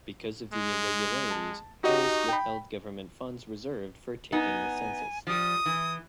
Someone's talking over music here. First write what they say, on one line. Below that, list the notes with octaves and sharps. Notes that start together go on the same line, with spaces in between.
Because of the irregularities, Harris withheld government funds reserved for taking the census.
G#3
A5
D#4 F#4 G4 D#5
G5 B5
B3 D#4 G#5
F3 G3 D#6
E3